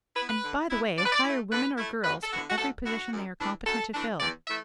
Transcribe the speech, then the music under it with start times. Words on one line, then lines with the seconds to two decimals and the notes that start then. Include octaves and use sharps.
And, by the way, hire women or girls for every position they are competent to fill.
0.16 B3 E4 B4
0.29 B4
0.43 D3
0.70 B3 E4
0.97 D3 D5
1.05 B4
1.12 D5
1.24 A3 E4
1.51 D3 B4
1.77 A3 E4
2.04 D2 B4
2.23 A4
2.32 D3 B3 E4 F#4
2.50 F#4
2.58 D2 A4
2.86 D3 B3 E4 F#4
3.12 F#2
3.40 E3 A3 D4
3.66 F#2 A4
3.93 E3 A3 D4
4.20 E2 D5
4.47 E3 A3 E5